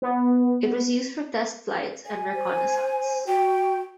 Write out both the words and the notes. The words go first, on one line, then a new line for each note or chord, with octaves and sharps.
It was used for test flights and reconnaissance.
B3
G#5
C5
F#4 G5